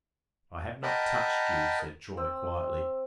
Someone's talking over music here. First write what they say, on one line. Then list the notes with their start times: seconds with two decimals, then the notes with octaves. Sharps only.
"I have not touched you," said Troy, quietly.
0.83 A#4 D#5 F#5 G5 A5 B5
2.17 C4 E6